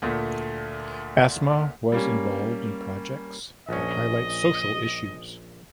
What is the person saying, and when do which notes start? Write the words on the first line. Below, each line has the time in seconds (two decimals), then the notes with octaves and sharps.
Asma was involved in projects that highlight social issues.
0.02 D2 A#2 A3
1.92 G3 A#3 C#4
3.69 A#1 C#4 D#5